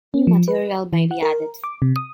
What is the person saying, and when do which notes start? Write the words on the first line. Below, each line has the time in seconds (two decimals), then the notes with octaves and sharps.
New material may be added.
0.14 C#4
0.27 F3
0.48 B4
0.93 E3
1.11 F#5
1.22 A#4
1.64 D6
1.82 C3
1.96 D#6